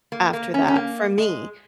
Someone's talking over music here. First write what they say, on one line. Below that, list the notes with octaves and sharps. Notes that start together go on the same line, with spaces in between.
after that, for me.
A#3
A#3
C#4
C#4
A#3
G#3